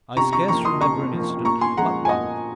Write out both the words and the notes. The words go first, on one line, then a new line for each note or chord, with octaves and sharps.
I scarce remember an incident but one.
C3 A#5 C#6
A#5 C#6
F3 A#3 A#5 C#6
C6 D#6
C3 A#5 C#6
F3 A#3
A#2 A#5 C#6
G#5 C6
F3 G#3 F#5 A#5
G#5
A#2 D#5 F#5